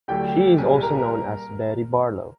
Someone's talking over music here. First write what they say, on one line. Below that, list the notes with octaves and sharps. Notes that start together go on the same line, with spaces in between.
She is also known as Betty Barlow.
D2 D3 F#3 A3 G4 G5
C2 A#2 G3 G#4 G#5
A#4 A#5